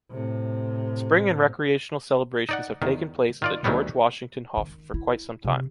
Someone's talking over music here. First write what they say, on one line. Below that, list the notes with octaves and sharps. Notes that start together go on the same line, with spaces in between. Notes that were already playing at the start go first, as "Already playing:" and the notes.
Spring and recreational celebrations have taken place at the George-Washington-Hof for quite some time.
A2 C3
D#4 D5 F#5
E2 D#3
D#3 F4 D5
D2 D#3 F#3 G3 B3
D#3
E4
C3